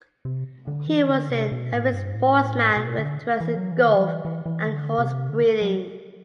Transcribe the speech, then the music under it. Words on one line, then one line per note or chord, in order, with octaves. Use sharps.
He was an avid sportsman with interests in golf and horse breeding.
C3
D3
E3
D3
C3
B2
A2
G2
A2
B2
D3
E3
F#3
E3
D3
F#3
E3
E3
E3
D3
C3
D3
F#3